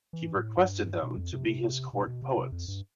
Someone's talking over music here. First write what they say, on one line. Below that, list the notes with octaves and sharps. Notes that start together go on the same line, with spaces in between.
He requested them to be his court poets.
E3
A2
G2
B2
F2
C3
C3
B2
B2
C3
C3
F2
G2